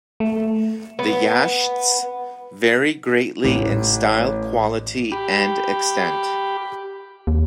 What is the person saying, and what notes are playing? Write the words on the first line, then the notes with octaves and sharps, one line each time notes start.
The "Yasht"s vary greatly in style, quality and extent.
A3
B3
A1
G4 B5
D#2